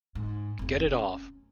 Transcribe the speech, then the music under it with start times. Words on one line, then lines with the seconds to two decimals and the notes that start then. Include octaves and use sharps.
Get it off.
0.15 G#2
0.59 F1 B1
0.80 C#4